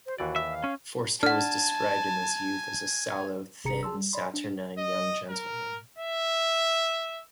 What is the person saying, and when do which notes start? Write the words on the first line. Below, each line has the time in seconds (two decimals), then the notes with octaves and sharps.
Forster was described in his youth as a "sallow, thin, saturnine young gentleman".
0.06 C5
0.18 D#2 E3 F#4 D5
0.36 E5
0.49 F5
0.64 C#4
1.23 D4 F#5 G#5 A5 F6
3.64 G#1 C3 G#4 A#5 C#7
3.83 G#4 A5 C6 E6
3.95 G3
4.13 D5 B5 C6
4.34 D4
4.78 D#5
5.30 A#4
5.98 E5